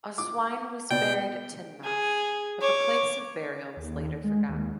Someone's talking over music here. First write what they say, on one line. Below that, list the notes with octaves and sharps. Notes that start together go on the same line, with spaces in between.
Oswine was buried at Tynemouth, but the place of burial was later forgotten.
D6
B2 D5 G5
G#4
C#5 D6
D#2
G#3
D#2